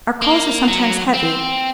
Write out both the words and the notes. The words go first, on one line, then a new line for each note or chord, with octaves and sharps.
Our calls are sometimes heavy.
A#3
F#3
C4